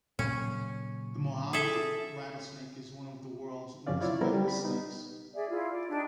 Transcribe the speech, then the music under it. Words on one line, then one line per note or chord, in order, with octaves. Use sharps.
The Mojave rattlesnake is one of the world's most venomous snakes.
A#2 C#3 F#3 C#4
G#4 A4 E5
F#2 C#3 F3 C#4 D5 F5
E4 F4 C#5 D5 E5
G3 B3 E4 A4 A#4 C5
G3
B5
B3 D#4
G#4 D5 E5
E4 F4 G#4
D5
D4 D#4 G4